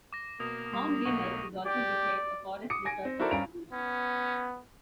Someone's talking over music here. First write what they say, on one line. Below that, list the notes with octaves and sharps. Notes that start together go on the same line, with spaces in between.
Mount Girnar is also declared a forest reserve for Bamboos.
D6 A#6
B2 A#3 D#6
G3 C6 D#6
B1 A3 F#5 C#6
G4 D5
D6 D#6 C#7
G#5 A#6 D7
C4
E4 F#4 A4 A#4 C5 D5
G2 C#4 F5 A#5 D7 F7
B3 C#4